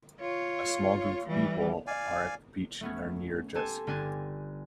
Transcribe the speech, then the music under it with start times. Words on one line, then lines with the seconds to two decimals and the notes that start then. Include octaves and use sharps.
A small group of people are at the beach and are near a jet ski.
0.20 F4 C#5
1.26 E3 G3
1.87 D5 F5 G#5
2.81 A3 B3 C#4
3.55 G4 A4 G#5 A5 C6
3.87 G1 G4 G#5 F#6 A6